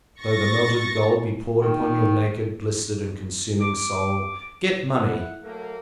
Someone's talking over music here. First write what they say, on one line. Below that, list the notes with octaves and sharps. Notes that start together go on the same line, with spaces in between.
Though the melted gold be poured upon your naked, blistered, and consuming soul--get money!
C#6 A6 A#6
D#3
D6
E4 F#5
F#3 A3 A#3